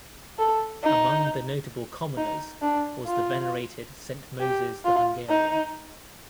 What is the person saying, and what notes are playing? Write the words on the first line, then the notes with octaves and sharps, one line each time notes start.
Among the notable commoners was the venerated Saint Moses the Hungarian.
A4
D#4
D#4
D4
F4
G4
F4
D#4